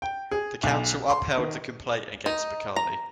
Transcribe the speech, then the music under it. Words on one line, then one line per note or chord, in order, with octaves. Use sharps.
The Council upheld the complaint against Becali.
G5
G#4
B1
C6
D#3
D#4
A#5